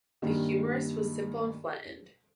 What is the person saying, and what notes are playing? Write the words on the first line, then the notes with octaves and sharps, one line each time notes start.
The humerus was simple and flattened.
G2 A#2 D#3 G3